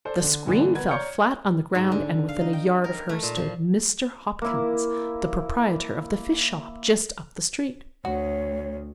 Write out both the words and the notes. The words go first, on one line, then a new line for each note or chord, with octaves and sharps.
The screen fell flat on the ground and within a yard of her stood Mr. Hopkins, the proprietor of the fish- shop just up the street.
A4 C5 D5
D3
G2 A#2 D3 E3 B3
B2 F#4 A#4 B4 G#6
C#5 D5 A#5 F6 G6 C#7
G#2
D3
F5
D#4
G5
A#4
A3
A#2
F3
A#3 E4
D2 F#4 C#5